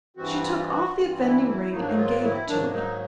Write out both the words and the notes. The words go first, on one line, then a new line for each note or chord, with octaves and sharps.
She took off the offending ring and gave it to me.
G2 E3 G3 C4 F#4
F4
F#4
G2 E3 G3 C4 F4
E4
E4
G#2 D#3 F#3 A#3 D#4
D4
D#4
F4
E4
G#2 D#3 F#3 A#3 D4
D#4